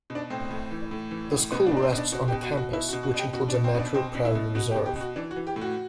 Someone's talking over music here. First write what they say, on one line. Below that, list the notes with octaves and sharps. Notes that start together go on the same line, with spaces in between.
The school rests on a campus which includes a natural prairie reserve.
B2
D4
A2 C4
A2
E3
A2
E3
A2
B2 B3
D4
B2
D4
C4
B2 D4
B2 F#4
G4
B2
F#4
B2 F#4
B2 E4
F#4
B2
F#4
B2 G4
B2 F#4
D4
B2
C4
B2 D4
B2 C4
B2
E4
B2
B2 F#4
G4
B2
G4
B2
F#4
E3 D4
F#4
E3
G4
A2
F#4